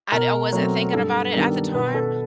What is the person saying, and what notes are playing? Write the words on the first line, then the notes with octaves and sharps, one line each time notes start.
I'd I wasn't thinking about it at the time.
B2 A#4
F#3 A3 C4
G2 A4
D#3 G3 B3 D4 A#4
B2 B4
A4